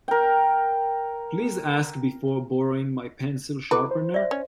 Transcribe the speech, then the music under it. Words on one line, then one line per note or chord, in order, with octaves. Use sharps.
Please ask before borrowing my pencil sharpener.
A#4 G5
E4 A4 B4 D6
C5
D5 E5
C#4